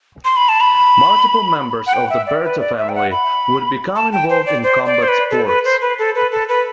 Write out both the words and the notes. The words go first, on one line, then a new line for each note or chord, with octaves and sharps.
Multiple members of the Berto family would become involved in combat sports.
C6
B5
A5
B5
F#5
G5
E5
D5
B4
D5
E5
G5
F#5
B5
A5
G5
C5
D5
C5
D5
C5
B4
A4
B4
C5
B4
A4
B4
A4
B4